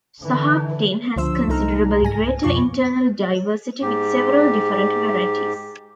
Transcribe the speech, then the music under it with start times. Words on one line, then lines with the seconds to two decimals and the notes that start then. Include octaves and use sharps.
Sahaptin has considerably greater internal diversity with several different varieties.
0.22 D3 E3
1.16 C#2 D3 F3 C5 C6 E6
1.48 C2 A3 D#4 A4 A#5 F6
2.02 C#2 G#2 G#5 A#6
2.43 F2 B2 F3 F4 C#6 D6
3.82 G#2 G4